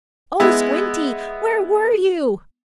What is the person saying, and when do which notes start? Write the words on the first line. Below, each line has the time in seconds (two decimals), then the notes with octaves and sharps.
"Oh, Squinty, where were you?"
0.40 G#3 B3 E4